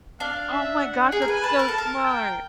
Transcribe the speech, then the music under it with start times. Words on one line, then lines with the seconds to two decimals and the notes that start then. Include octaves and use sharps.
Oh my gosh. That's so smart.
0.20 D4 F5
0.51 E5
0.82 F#5
1.12 G#4 G#5
1.22 A#4
1.28 B4
1.43 B4 A5
1.59 A#4
1.68 A4
1.74 A#4 A5
2.05 G5